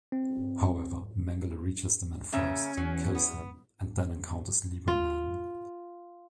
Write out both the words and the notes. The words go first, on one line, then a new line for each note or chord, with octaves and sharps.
However, Mengele reaches the man first, kills him, and then encounters Liebermann.
C4
C#3 A#3 C#4 E5
E2 F#3
B3
F4